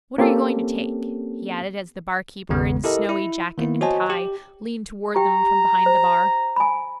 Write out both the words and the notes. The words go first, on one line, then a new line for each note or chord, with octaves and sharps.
"What are you going to take?" he added, as the barkeeper, in snowy jacket and tie, leaned toward them from behind the bar.
A#3 C4 C#4 G4 A4
G#1 E2 C#3 B3
E4 G4 A4 A#4 D#5
E4
D#3 A#3 B3 E4
F#4 C5 C#5 D#5 G#5 A5
G4
G4 G5 A#5
C5
G#5 B5